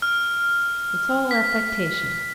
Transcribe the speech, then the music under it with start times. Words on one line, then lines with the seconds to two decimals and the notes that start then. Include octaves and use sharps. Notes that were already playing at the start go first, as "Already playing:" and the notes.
It's all affectation.
0.02 F6
1.31 B6